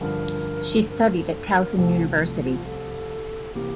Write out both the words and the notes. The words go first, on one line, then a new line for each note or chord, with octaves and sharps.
She studied at Towson University.
G2 D3 F3 A#4
A4
A#4
A4
A#4
C2 C3 F3 A3 A4
A4
F4
A4
C3 E3 A#3 G4